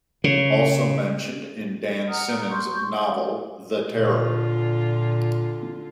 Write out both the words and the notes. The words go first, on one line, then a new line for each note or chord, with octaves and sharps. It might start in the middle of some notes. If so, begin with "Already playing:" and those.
Also mentioned in Dan Simmons' novel, "The Terror".
C#3
F#5 A#5 D#6 F6
C6 C#6 G6
A#2 D3 F4